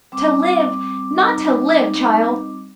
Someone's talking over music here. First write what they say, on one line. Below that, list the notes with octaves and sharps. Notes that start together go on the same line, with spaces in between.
"To live--not to live, child!"
G3 C4 D6
D#4